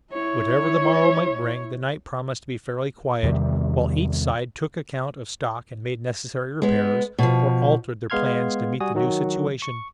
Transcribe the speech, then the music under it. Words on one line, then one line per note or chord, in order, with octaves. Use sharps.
Whatever the morrow might bring, the night promised to be fairly quiet, while each side took account of stock and made necessary repairs, or altered their plans to meet the new situation.
E4 C#5
E2 C3 D#3 G3
G#3 B3
B2 F3
G#3 B3 F5 C6 F6 G#6
G3 F#4 G#5 D#6
D#3 F#3 F#4
C#6